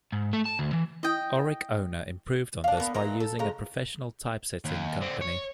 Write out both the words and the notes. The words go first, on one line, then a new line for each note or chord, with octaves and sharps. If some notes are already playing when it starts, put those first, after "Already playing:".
"Oric Owner" improved on this by using a professional typsetting company.
G#2
A3
A5
D2
E3
E4 D#5 G5 D#6
D4 F5
A#3 B3
A#2 E3 D#5 A#5
A4
C#3 F3 G#3 A#5
D#2
D3 C4
C#5